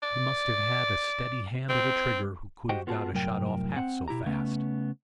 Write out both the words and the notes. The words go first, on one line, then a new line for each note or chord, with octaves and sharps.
He must have had a steady hand at a trigger who could have got a shot off half so fast.
D5
C4
F#4 G4 C5 D#5 F#5 G5
B3 F4 F#4 G#4 A5
C2 F#2 A2 F#3 A#4 G5
C4 F#5
B2 E4 G4 A#5
C#3 A3 B3 C#4